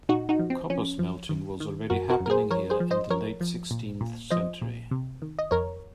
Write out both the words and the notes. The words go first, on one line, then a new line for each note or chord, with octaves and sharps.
Copper smelting was already happening here in the late sixteenth century.
A#2 D#4 F#4
D#4 F#4
F3
C4
F3 C#4
F3
D#3
D#3
F#2 F#4 A#4
F#4 A#4
F#2
A#4
G#4 C5
F3 A#4 C#5
G#4 C5
F3
C5 D#5
F3 A#4 C#5
F3
A#2
A#2
F3 C5 D#5
A#2
C3
D#3
D#5
F2 A#4 C#5